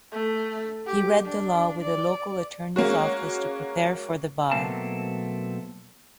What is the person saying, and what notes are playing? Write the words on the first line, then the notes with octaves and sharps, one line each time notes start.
He "read the law" with a local attorneys' office to prepare for the bar.
A3
G4
D4
D5
G#3 A#3 C#4 F#4
B2 F#3 A3 A#3 C4 A5